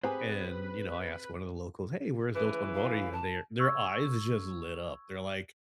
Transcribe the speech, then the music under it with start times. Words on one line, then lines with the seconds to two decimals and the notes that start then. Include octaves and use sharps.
and, you know, I asked one of the locals, hey, where's Dotonbori? And their their eyes just lit up. They're, like,
0.04 C4 G4 G#4 B4 C5 F#5 A#5
2.34 C#3 E3 B4
2.73 F5
3.13 A5
3.59 C#6 E6 G#6